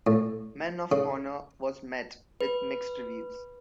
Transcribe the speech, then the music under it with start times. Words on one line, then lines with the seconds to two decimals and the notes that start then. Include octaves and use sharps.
"Men of Honor" was met with mixed reviews.
0.07 A2
0.92 C#3
2.41 B4